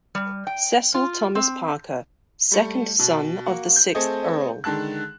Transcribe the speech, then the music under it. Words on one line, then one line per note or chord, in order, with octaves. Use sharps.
Cecil Thomas Parker, second son of the sixth Earl.
G3
G5
F4
C4
G3 A3
B2
A#3 F#4
G6
A3 C4 G#4 A4 D#5
D3 D#3 G#3 A5 F#6